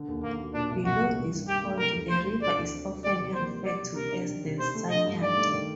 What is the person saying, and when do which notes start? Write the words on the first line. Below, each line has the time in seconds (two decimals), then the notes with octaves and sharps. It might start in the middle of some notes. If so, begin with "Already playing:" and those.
Below this point, the river is often referred to as the Sanyati.
Already playing: D3
0.08 D#2
0.23 D#2 A#3
0.39 F#3
0.54 A#2 D4
0.71 C2
0.85 C2 F#4
1.01 G3
1.16 D#3
1.32 G2
1.48 G2 G4
1.63 A3
1.79 C3 A#4
1.95 D2
2.10 A3 C5
2.25 F#3
2.41 D3 D5
2.56 D2
2.72 C4
2.88 F#3
3.04 D#3 D5
3.20 C3
3.34 A#3 C5
3.50 G3
3.65 G3 D5
3.82 C3
3.96 C3 A#4
4.12 D4
4.28 D#3
4.44 C3
4.59 C3 C5
4.75 A3
4.90 D3 D#5
5.06 G2
5.22 D#4 D5
5.37 A3
5.52 D#3